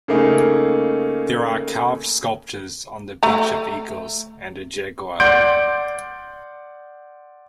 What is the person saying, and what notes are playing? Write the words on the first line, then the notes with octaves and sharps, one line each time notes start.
There are carved sculptures on the bench of eagles and a jaguar.
C#3 A3 A#3 D#4 G#4
A3 A#5
D5 F#5 C6 G6 D7